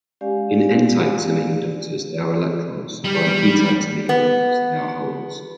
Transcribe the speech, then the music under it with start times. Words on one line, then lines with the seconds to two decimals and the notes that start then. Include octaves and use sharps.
In n-type semiconductors they are electrons, while in p-type semiconductors they are holes.
0.21 G#3 C#4 G4 D5 F5 G#5
3.04 G3
4.09 B3